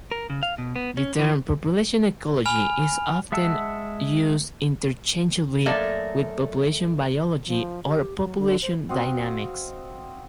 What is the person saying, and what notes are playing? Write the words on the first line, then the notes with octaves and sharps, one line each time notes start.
The term population ecology is often used interchangeably with population biology or population dynamics.
A#4
C#3
F5
B2
B3
C#4
E3
G#5 B5 F6 F7
G#3 E5 F#5 A5 E6
F#2 A3 A#3 D5 D#5 A5
F3
G4
F#3
D3
C5
C4 F#4 D#5 F5